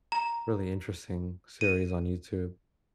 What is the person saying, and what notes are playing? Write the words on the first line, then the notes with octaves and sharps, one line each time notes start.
really interesting series on YouTube,
A#5
D#7